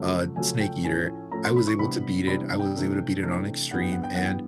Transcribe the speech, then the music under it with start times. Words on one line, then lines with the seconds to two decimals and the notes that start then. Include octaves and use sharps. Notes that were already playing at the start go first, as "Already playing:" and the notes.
uh, Snake Eater, I was able to beat it; I was able to beat it on extreme, and,
Already playing: F2 C#3 F#3 A3 C#4
0.36 F2 C#3 F#3 A3 C#4 G#5
0.61 G5
0.84 A2 F3 A3 C#4 E4 G#5
1.32 A2 F3 A3 C#4 E4 A#5
1.45 C6
1.56 B5
1.67 C#6
1.79 C3 E3 G3 B3 D4 B5
2.27 C3 E3 G3 B3 D4 B5
2.59 G5
2.75 C3 E3 A3 D4
3.23 C3 E3 A3 D4
3.71 G2 E3 G3 B3 F#5
3.82 G5
3.92 F#5
4.04 G5
4.15 G2 E3 G3 B3 F#5
4.25 G5